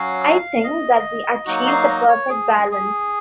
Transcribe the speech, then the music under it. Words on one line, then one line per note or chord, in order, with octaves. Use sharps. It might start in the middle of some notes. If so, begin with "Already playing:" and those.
I think that we achieved the perfect balance.
Already playing: F#3 C#4 F#4 F5
D#5
F#3 A#3 D#4 F#4 F#5
F5
D#5
C#5
G#4
G#4